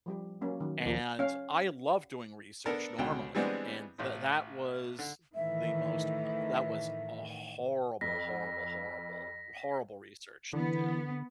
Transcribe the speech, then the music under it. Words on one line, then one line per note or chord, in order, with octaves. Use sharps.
and I love doing research normally and th that was the most, uh, that was a horrible, horrible, horrible, horrible research to do.
F3 G3 G4
F#3 A#3 C#4
D#3 F#3
D#2 D#3 F3 A#3
C#4 F5
B3 D4 A4 A#4
C#2 B2 D3 G5
E3 G3 G#3 B3 C4 D4
A1 A2
D3
A2 D#3 E3 E5
F2 A#6 B6
D3 E3 B3